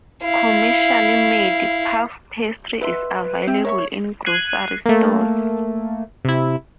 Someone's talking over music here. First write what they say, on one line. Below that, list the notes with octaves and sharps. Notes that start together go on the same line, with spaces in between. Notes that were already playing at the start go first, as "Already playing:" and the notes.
Commercially made puff pastry is available in grocery stores.
E4 F5
B2 B4 E5 C6
C4 G4 E5
A#4 C#5 E5 C#6
F#6 G#6 C7 D#7
A3 A#3
C3 E4